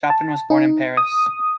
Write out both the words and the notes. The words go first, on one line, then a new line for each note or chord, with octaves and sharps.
Chapelain was born in Paris.
A5
D#4
D#6